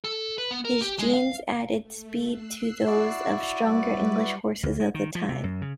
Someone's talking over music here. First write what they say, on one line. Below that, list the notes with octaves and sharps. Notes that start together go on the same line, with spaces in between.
His genes added speed to those of stronger English horses of the time.
A4
B4
B3
A#4
G4
G#3
F5
A3
E6 F#6 C7
E4 F#4 D5
G3 B4
D2
G#3
D#3
F3
C3
F#2
C#3